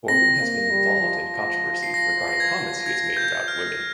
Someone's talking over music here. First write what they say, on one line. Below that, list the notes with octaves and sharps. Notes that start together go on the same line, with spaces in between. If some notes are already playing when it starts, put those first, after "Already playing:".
Corbin has been involved in controversy regarding comments he has made about women.
C4 A#6
A#3
G3
F3
C7
A#6
A#6
G#6
G#6
G6
F6